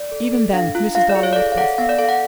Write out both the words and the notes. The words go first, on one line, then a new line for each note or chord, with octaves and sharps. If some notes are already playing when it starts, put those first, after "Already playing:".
Even then Mrs. Darling was placid.
Already playing: D5
A4
A4
D4 F5
F4
F4 F5
D5
G#4
C#5
D5
A4 F5
F5
A4 F#5
B3 F5
D5
A4 F5
F#5